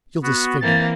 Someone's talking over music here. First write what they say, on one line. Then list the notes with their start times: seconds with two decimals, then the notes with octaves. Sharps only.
'You'll disfigure.
0.23 B3 F#4
0.61 E3 A#3 C4 A6